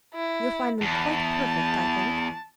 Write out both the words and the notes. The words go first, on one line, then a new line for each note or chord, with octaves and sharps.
"You'll find them quite perfect, I think."
E4
E2 A5